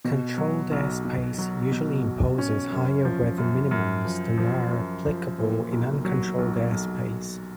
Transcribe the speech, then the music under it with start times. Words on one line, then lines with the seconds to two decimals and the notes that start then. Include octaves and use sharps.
Controlled airspace usually imposes higher weather minimums than are applicable in uncontrolled airspace.
0.05 B2
0.38 F#3
0.71 B1
1.05 B2
1.38 F#3
1.72 B2
2.05 B2
2.38 C#4
2.72 F#2
3.05 F3
3.38 F#2
3.71 F#2
4.05 F3
4.38 F3
4.71 F#2
5.05 F3
5.38 A#2
5.72 B1
6.05 F#3
6.38 B1
6.72 B1